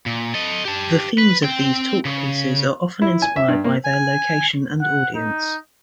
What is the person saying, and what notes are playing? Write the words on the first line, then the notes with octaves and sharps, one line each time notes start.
The themes of these "talk-pieces" are often inspired by their location and audience.
A#2
A4 D#5
G4 A5
B4
C4 G5
C#3
E4
G#5
E5
G2
A#3
G#5
F#5
D#4